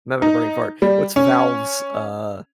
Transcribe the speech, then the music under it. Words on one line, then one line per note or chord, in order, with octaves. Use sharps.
I'm having a brain fart. What's Valve's, uh
D#4
G3
C#4